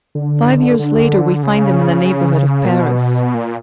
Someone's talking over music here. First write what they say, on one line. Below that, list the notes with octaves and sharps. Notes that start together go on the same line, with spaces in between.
Five years later we find them in the neighbourhood of Paris.
D3
D3
C#3
A#2
B2
A#2